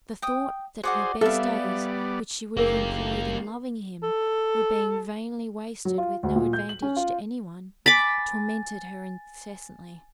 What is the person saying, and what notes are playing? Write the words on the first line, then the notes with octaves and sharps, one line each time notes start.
The thought that her best days, which she would have employed in loving him, were being vainly wasted, with no advantage to anyone, tormented her incessantly.
G5 D#6
F#4 G#4 C5 D5 F#5
G3 B3 A4 D5 E5 F5
F#1 A#3 G4 G#4 A#4
A4
F#3
F4
D2
A#2
G6
F#7
C#4
F4
G#5 B5 D6 A6